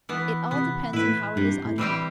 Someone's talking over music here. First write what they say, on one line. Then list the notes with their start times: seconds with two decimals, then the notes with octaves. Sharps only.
It all depends on how it is uttered.
0.09 E3 B3
0.51 C3 B3
0.93 A2 E4 B4
1.36 G2 C3
1.65 A2
1.78 E3 G3 C4 G4